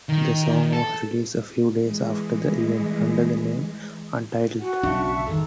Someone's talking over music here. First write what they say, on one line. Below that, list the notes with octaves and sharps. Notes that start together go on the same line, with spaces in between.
The song was released a few days after the event, under the name "Untitled".
D#3
A4
E3 G#3
F#4 F#5 G#5
B1 C#3 D4 E5 A5 C#6
G#2 D#3 A4